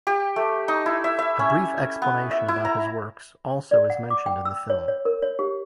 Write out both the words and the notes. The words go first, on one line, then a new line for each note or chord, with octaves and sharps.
A brief explanation about his works also is mentioned in the film.
G4
A3
D#4
E4
E5
E5
C#4
B3
E5
E4
A#5
D5
F#5
D6
G5
E6
C#5
C#5
A#4
C#5
G4